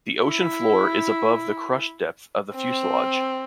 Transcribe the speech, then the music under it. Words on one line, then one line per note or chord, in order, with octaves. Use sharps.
The ocean floor is above the crush depth of the fuselage.
E4
C4